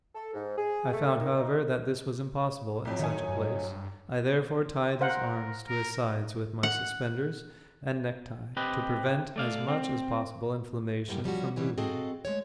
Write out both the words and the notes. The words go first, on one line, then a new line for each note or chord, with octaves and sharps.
I found, however, that this was impossible in such a place. I therefore tied his arms to his sides with my suspenders and necktie, to prevent as much as possible inflammation from movement.
A4
G#2
G#4
A3
D#3
D#4
C2 F2 F#3
D#3 A3 D#4 G#5
G2
A#4 C5 F5 F#5
A#4
F#5
C4 G4 B4 D#5
A3 D5 F5
C4
F#2 A2 G3 A#3
F3 G3 C#4 F#4
B2 E3 G3 C#4
C4 F#4 G#4 A4 D#5 F5
G#3 A3 C#5